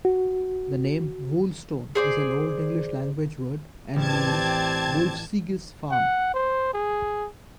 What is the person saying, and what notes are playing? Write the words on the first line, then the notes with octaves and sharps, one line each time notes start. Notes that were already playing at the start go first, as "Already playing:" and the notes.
The name 'Woolstone' is an Old English language word, and means 'Wulfsige's farm'.
F#4
G#4 C5 D5
A1 C4 G4 D5 A5 G#6
F#5
C5
G#4